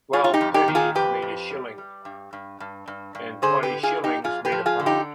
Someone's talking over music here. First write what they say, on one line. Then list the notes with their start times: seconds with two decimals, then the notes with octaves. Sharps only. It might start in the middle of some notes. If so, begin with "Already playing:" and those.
Twelve pennies made a shilling, and twenty shillings made a pound.
0.13 G3 F4 G#4
0.24 F4
0.34 D#4 G4
0.41 F2
0.54 D#4 G4
0.68 D#3
0.75 F4 G#4
0.95 F2 G4 B4
1.22 F2
1.50 G3
1.78 G3
2.05 G2
2.33 G2
2.60 G2
2.88 G2
3.15 G2
3.42 D3 G#4 C5
3.63 G4 B4
3.69 D3
3.83 F4 G#4
3.97 F2
4.04 D#4 G4
4.24 F2 F4 G#4
4.45 G4 B4
4.52 F3
4.66 F4 G#4
4.80 D3
4.86 D#4 G4